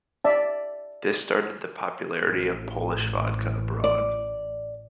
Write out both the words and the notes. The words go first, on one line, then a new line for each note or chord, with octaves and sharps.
This started the popularity of Polish vodka abroad.
D5 E5 A5
A1
D5